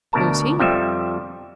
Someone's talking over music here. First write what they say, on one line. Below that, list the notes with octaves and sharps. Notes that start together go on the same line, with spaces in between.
"Who is he?"
D2 B2 A#4 A5
F2 F3 G3 E5